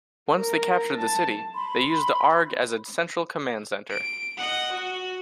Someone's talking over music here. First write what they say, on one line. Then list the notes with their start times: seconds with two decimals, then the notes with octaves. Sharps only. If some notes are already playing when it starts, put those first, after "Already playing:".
Once they captured the city, they used the Arg as a central command center.
0.31 A#4
0.94 A5
1.55 B5 C6
3.89 D7
4.37 D#5 F#5
4.72 F#4